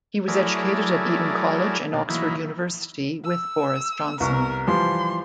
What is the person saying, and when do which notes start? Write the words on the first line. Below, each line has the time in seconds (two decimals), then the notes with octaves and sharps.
He was educated at Eton College and Oxford University with Boris Johnson.
0.28 F#3 A3 E4 G#4 A#4 D5
1.94 B2 A#3 D4
2.10 E3 F#3 A#3 D#4 E4
3.25 E6
4.20 C2 B3 A#4 C#6
4.67 E3 F3 G3 C6